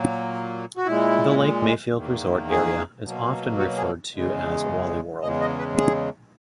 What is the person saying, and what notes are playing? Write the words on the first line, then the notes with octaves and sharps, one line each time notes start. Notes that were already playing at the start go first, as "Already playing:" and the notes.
The Lake Mayfield Resort area is often referred to as 'Wally World'.
Already playing: A#2 F#3 A#3
F#4
A#2 G#3 E4
E2 D#3 A#3
G#4
B2 F#3 A#3
F#4
G#4
E2 C#3 G#3
E2 C#3 G#3 D#5
D#5
B4
G#4